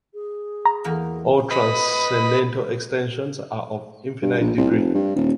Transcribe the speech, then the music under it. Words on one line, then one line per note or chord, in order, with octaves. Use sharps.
All transcendental extensions are of infinite degree.
G#4
A#5
E2 A#3 F5
B4 D#5 B5
G2
A#1
C2
F1
G2
D#1